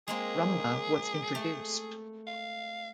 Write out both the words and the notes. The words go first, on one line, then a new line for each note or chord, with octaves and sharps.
Rumba was introduced.
G#3 A#3 C4 G#4
A3
F5